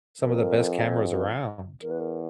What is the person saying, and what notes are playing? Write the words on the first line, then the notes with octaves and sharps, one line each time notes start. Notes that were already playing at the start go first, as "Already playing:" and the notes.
some of the best cameras around.
F2 A#4
E2 A#4
B4
A#4